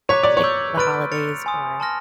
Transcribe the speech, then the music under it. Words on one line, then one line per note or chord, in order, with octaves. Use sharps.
like, the holidays or
C#5 A#5 D6 F#6 B6 D#7
D5
C#5
C#6 E6 G6
B4 C6 F6 A6 D7
F6 A6 C#7 F7
G#5 C6 D#6
A5 C6 F6 A#6